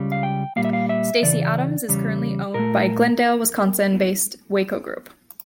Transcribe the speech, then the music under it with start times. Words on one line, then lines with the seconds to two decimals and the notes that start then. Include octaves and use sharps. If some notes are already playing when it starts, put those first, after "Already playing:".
Stacy Adams is currently owned by Glendale, Wisconsin-based Weyco Group.
Already playing: C#2 C#3 G3
0.12 F5
0.23 G5
0.56 A#2 G3 A#3 F5
0.65 E5
0.73 F5
0.89 E5
1.22 E2 C#3 E3 D5
1.88 E2 C#3 G3
2.54 A#2 A3 A#4